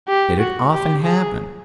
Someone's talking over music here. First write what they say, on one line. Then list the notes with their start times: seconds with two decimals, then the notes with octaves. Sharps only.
Did it often happen?
0.08 G4
0.40 F#4
0.72 G4
1.04 G#4